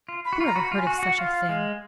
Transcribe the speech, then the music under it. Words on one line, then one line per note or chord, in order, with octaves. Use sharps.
Who ever heard of such a thing!
F4
B5
F#4
F4
A#5
F#4 B5
F4 G#5
F#4
F#5
F#4
F4 F5
G#3